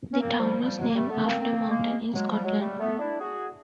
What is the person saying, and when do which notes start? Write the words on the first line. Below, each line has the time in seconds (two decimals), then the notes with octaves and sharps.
The town was named after a mountain in Scotland.
0.12 C#4
0.19 A#3 C4
0.39 F3 G3
0.59 F3 G3
0.79 F#3 G#3
0.89 A#3
0.94 G3 A3
1.09 A3 B3
1.24 A#3 C4
1.39 A#3 C4
1.69 G#3 A#3
2.14 F#3 G#3
2.29 F3 G3
2.44 F#3 G#3
2.59 G3 A3
2.79 A3 B3
2.99 D4 E4
3.19 F#4 G#4